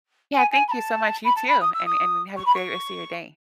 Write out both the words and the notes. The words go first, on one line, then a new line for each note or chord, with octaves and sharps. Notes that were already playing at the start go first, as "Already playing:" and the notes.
Yeah, thank you so much, you too, and and have a great rest of your day.
G#5
G#5
B5
A5
B5
A5
B5
D#6
E6
D#6
C#6
B5
C#6